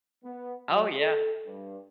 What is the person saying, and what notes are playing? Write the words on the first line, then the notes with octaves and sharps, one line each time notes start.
Oh, yeah.
B3
F#3
A4
G2